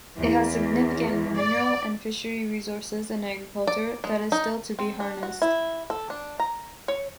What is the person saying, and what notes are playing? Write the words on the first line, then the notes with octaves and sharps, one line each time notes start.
It has significant mineral and fishery resources and agriculture that is still to be harnessed.
E2
D5
D5
G#3
D#4
C4
D4
F#4
E4
A4
D4
A#5
C#5